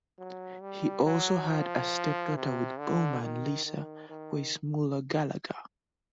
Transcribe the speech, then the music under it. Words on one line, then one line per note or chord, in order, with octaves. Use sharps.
He also had a stepdaughter with Baumann, Lisa Weissmuller-Gallagher.
F#3
G3
F#3
F3
C3
D3
D#3
D#3
D#3